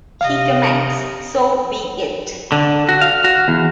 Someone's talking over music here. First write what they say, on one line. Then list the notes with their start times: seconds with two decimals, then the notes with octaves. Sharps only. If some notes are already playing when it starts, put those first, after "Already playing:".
He comments: So be it.
0.21 C3 D#5 F5
2.52 D3
2.89 F#4
3.01 F5
3.24 F#4
3.48 E2